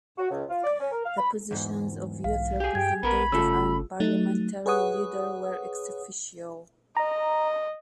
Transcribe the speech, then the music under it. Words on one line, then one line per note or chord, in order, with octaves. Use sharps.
The positions of Youth Representative and Parliamentary Leader were "ex officio".
F#4
C#2
F4
D5
C#4
A#4
F5
B5
E2 G#2
B1 F5
G4 G#4
G2 G5 G#6
A#1 B3 A#4 B5
G1 C#3 A3 F4 A4 E6
F#3 A3 D#4
G#4 B4 C#5 F#5 D#6
D#5 A#5